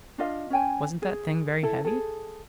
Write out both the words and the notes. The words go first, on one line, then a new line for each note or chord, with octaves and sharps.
"Wasn't that thing very heavy?"
D4 F4 D#5 F5
C#4 C#5 G5 G#5
G#4
E4 A4
G#4 A4